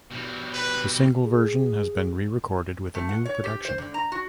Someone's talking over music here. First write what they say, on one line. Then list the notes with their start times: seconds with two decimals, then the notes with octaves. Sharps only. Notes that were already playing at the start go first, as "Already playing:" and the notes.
The single version has been re-recorded with a new production.
0.11 B2 G3
0.53 B4
1.24 G#4
2.95 A3
3.09 F#5
3.25 C#5
3.44 G4
3.65 C5
3.78 D3
3.94 A#5
4.12 F#4